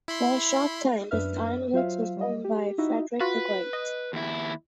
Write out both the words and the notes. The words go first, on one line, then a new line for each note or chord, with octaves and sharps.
For a short time this ironworks was owned by Frederick the Great.
E4 B5 C6
F#2 D4 B4 E5 F6
F#3 F4 C5 E5 F5
G3 D#5
G4
D#4 E4 F#4 D#5 E5
F4 F#4 B4
D#5
D#2 E4